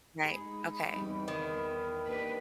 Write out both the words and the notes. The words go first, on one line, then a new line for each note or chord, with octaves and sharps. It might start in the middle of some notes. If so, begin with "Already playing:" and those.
Right, okay.
G#3 D#4 G#4 B5
E2 G3 C4 D#4
D#3
A#3 D4 G4 B4